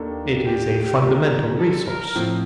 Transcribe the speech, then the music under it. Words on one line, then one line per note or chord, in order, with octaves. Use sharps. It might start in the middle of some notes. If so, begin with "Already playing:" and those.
It is a fundamental resource.
Already playing: D#2 D#3 A#3 D4 A4
G4
D2 D3 G3 A#3 F4
A4
A#4
A2 F3 C4 F4